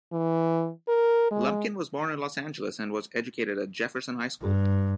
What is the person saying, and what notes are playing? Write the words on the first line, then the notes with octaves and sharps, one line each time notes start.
Lumpkin was born in Los Angeles and was educated at Jefferson High School.
E3
A#4
G#3
G2